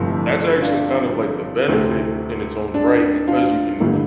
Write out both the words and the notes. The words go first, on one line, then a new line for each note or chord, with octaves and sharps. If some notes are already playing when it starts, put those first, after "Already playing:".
That's actually kind of like the benefit in its own right because you can
Already playing: G1 F2 C3 E3 A3
D4 F4
D2 C3 E3 A3 C4 E4
D4
D4 F4
A1 G2 D3 A3 E4 G4